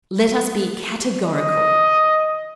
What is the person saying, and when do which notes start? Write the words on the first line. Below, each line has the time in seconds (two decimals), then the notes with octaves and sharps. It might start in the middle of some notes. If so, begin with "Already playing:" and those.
Let us be categorical.
1.24 D#5